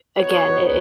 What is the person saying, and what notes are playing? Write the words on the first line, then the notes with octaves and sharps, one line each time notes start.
again i i
B3 D#4 F#4 C#5